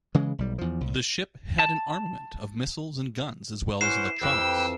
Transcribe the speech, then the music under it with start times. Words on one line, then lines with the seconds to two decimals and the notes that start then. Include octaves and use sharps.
This ship had an armament of missiles and guns as well as electronics.
0.15 C#3 E3 G#3
0.38 B1 G3
0.58 E2 F3
0.81 C2
1.59 A5
3.81 E3 C#4 C5 F#5 C7 E7
4.21 F2 E3 G4 B4 G5 E6